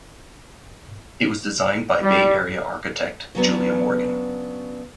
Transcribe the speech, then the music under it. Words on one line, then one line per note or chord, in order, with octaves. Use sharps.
It was designed by Bay Area architect Julia Morgan.
G3
C#3 F#3 B3 D4